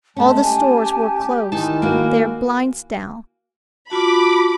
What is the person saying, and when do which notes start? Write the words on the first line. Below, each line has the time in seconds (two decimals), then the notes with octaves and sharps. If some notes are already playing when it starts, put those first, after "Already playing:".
All the stores were closed, their blinds down.
0.17 G#3 A3 C#4 A5
0.42 G4 G#5
1.52 D#3 D#4 E4 G#5 A5
1.82 A#3 F#4
3.90 F4 F#4 A5 B5 D6